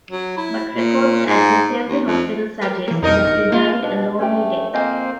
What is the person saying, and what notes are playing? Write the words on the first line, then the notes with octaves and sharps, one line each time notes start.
But records at the Sewri Hospital suggest that he died a lonely death.
F#3
E4
A#2
G#2
D#2
F2
G4 A#4 B4
E3 A#3
F2 B2 D#4 A#4 D#5
G1 C#7
A#3 F4
B2 D4
G2 A3 C#4 G4
F2 A#3 C4 C5 D#5 F5 G#5